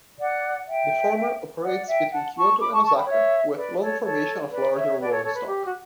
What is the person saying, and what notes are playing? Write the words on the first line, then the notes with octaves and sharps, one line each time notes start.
The former operates between Kyoto and Osaka with long formation of larger rolling stock.
D5 F#5
E5 G5
D5 F#5
E5 G5
F#5 A5
A5 C#6
B5 D6
A5 C#6
A5 C#6
G5 B5
C#5 E5
B4 D5
A4 C#5
A4 C#5
B4 D5
C#5 E5
C#5
B4 D5
A4 C#5
A4 C#5
B4
G4
F#4